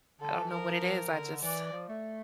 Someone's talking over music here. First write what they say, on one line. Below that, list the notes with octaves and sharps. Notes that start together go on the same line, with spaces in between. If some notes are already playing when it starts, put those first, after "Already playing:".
I don't know what it is. I just
D3 A4
E3
F3 A#4
D3
E3 D5
F3
A3